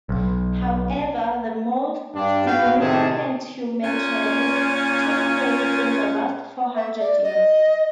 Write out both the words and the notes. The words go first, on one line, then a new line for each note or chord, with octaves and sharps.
However, the most significant human changes took place in the last four hundred years.
B1
G2 D4
G#2 B3 F#4 B4 F5 G5
A2 C3 D#3 G#4 A5
A#2 C#4
E5
D5
D#5